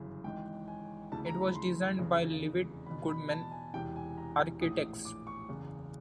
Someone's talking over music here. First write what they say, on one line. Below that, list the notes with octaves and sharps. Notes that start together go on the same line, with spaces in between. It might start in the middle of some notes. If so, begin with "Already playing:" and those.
It was designed by Levitt Goodman Architects.
Already playing: G1 F#2 C#3 E3
G#1 G#2 E3 G5
G#5
D2 C#3 E3 A5
A#5
B5
C6
F1 E2 C#3
E2 B2 B5
B5
A5
G#5
E1 E2 C3 E3 G5
G#5
A#5
A#1 A2 E3 D#6
D6
C#6
F#1 E2 C#3